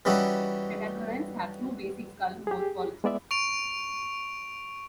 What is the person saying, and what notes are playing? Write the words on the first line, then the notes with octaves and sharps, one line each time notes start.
Tetanurans have two basic skull morphologies.
E3 G3 C#4 D#4 E4 F#4
G4 G#4
G#3 B3 D5 E5
C#6 D7 F7